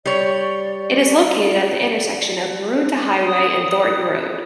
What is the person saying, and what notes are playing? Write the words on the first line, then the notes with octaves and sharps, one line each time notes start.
It is located at the intersection of Maroondah Highway and Thornton Road.
G3 C#5 D5
D#6